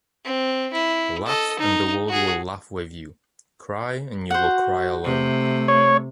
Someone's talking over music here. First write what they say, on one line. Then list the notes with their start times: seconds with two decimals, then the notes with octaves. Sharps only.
Laugh and the world will laugh with you. Cry and you will cry alone.
0.24 C4
0.73 E4
1.26 A4 D#5
1.59 D#4
2.08 F#4 G#4
4.31 F#4 C5 F#5
5.04 C3 A3
5.68 C#5